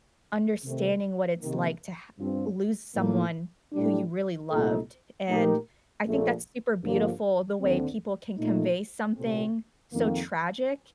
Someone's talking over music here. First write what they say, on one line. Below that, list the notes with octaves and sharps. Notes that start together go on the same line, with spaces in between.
understanding what it's like to ha lose someone who you really loved, and I think that's super beautiful the way people can convey something so tragic
C3 D#3 A3 C4
C3 D#3 A#3
G2 F3 C4
A2 F3 A#3
A2 G3 D4
C2 A#2 A3 D#4 A4
A#2 A3 D#4 G4 A#4
A#1 A#2 F3 A3
G2 D3 F3 A#3
D#2 D3 A3 C4
A#2 A3 D#4
C2 A#2 A3 C4
F2 D#3 A#3